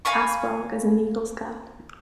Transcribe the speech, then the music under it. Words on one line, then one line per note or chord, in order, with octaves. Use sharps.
Asphaug is an Eagle Scout.
F5 G#5 B5 C#6